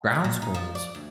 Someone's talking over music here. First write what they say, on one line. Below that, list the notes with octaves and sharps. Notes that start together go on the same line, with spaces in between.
Ground squirrels?
A#2
D#4
F3
D5
D2